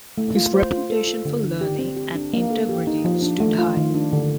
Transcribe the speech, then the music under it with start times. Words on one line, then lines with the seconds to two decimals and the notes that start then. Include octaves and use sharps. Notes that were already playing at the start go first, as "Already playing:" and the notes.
His reputation for learning and integrity stood high.
0.18 A3
0.36 F4
0.54 C5
0.72 F4
0.90 A4
1.07 F4
1.25 D3
1.43 D4
1.61 G4
1.79 C4
1.97 G4
2.15 D4
2.33 A#3
2.51 A4
2.69 G4
2.87 D#4
3.05 F3
3.23 D4
3.40 A3
3.59 F4
3.77 D#3
3.94 D4
4.13 D3